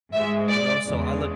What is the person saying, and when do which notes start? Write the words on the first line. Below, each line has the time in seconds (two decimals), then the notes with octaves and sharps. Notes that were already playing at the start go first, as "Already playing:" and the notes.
you know, so I look
0.13 G#2 G#3 E5
0.49 D5
0.85 E2 C#3 E3 G#3